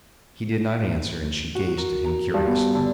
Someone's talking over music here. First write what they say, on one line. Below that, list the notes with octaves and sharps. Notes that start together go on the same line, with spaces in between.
He did not answer, and she gazed at him curiously.
F#4
A#4
A#5
G2
B3
D3